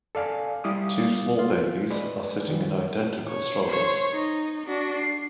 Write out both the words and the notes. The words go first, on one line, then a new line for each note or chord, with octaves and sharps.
Two small babies are sitting in identical strollers.
A4 D5 F5 G#5
G3 E4 F5 D6 D#6
F4
G#3 B4 D5
D#3 G3
C#5
C5 C#5
D#4
D4 F#4
C7